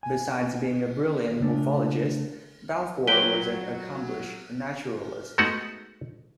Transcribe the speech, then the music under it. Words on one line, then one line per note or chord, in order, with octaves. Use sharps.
Besides being a brilliant morphologist, Balfour was an accomplished naturalist.
G#5
C#3 A3 D4
F#3 B4 G5 G7
G#3 A3 B3 D#4 F#4 F#5